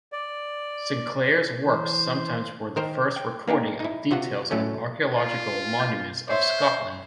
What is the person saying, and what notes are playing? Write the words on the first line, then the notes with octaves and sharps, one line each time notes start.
Sinclair's works sometimes were the first recording of details of archaeological monuments of Scotland.
D5
E3 C5
D#3 A#4 C5 G5
G5
A#3 D4 D#4 G4
D#4 E4
C3 F4 F#4 F#5
A2 F#3 A3 C#4
F4
G6
C5 C#5 E5 C6